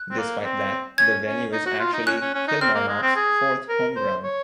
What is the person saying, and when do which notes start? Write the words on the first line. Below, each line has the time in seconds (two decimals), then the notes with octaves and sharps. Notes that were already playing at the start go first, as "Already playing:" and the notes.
Despite that, the venue is actually Kilmarnock's fourth home ground.
Already playing: F#6
0.10 C4
0.18 A#3
0.44 C4
0.98 C#4 G#6
1.26 C#4
1.52 D#4
1.66 F#4
1.79 F4
1.93 D#4
2.06 C#4 F#6
2.21 C#4
2.34 C#4
2.48 D#4
2.61 C4 F6
2.75 A#3
2.88 G#3
3.02 C4
3.16 G#4
3.69 A#4
3.96 C5
4.24 C#5